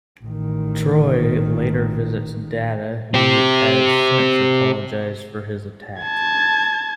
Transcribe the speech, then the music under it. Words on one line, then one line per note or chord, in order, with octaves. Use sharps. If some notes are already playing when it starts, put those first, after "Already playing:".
Troi later visits Data, who has since apologized for his attack.
A1 D#3
C4 G4
A5 G#6